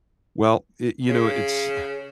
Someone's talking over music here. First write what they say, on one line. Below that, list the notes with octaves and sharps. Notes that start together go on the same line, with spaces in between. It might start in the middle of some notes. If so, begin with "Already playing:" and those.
well, it you know, it's
C#3